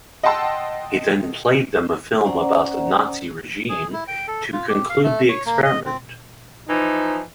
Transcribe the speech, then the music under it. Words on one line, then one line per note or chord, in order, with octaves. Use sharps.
He then played them a film about the Nazi regime to conclude the experiment.
D#5 F#5 G5 A5 C6 E6
C#4 C5 D5 F#5 A#5
G#4
E4
G5
A4
F4
G4
F5
A3
C#5
A#3
D#5
C4
E3 F3 D#4